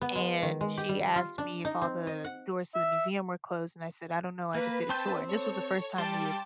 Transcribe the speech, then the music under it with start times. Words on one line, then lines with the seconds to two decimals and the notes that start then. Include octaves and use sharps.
and she asked me if all the doors to the museum were closed, and I said, "I don't know; I just did a tour"- and this was the first time we had
0.01 B3
0.15 G#3
0.43 D#3
0.61 G#3
0.77 G4
0.89 G3
1.16 F4
1.38 D4
1.65 D#4
1.82 C4
2.07 D#5
2.24 F#5
2.75 E5
4.55 A#3 B4
4.89 C4 G5 A5 C6 G6
5.29 A4 C#5
5.98 G3 G5 A5 C6 D6